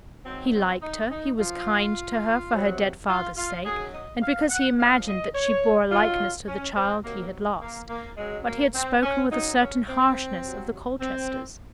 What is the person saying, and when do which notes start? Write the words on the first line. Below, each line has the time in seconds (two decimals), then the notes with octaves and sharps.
He liked her; he was kind to her for her dead father's sake and because he imagined that she bore a likeness to the child he had lost; but he had spoken with a certain harshness of the Colchesters.
0.25 G#2 D#3 F#3 C4
0.53 C4
0.82 D#4
1.10 D#4
1.38 F#2 F3 F4
2.52 C3 F#3
3.08 F4
3.37 F4
3.65 F#2 D#3 F#3 G#4
3.93 D#5
4.21 F5
4.49 F#5
4.78 A#2 F3 F5
5.06 D#5
5.35 C#5
5.91 F#2 D#3 F#3 F4
6.47 C#4
6.76 C4
7.04 C3 D#3 F#3 A#3
7.61 A#3
7.89 A#3
8.17 F#2 C#3 F#3 G#3
8.45 A#3
8.74 C4
9.02 C#4
9.30 F#2 C#3 F#3 D#4
9.59 C#4
9.87 C4
10.43 C3 F#3
11.01 C4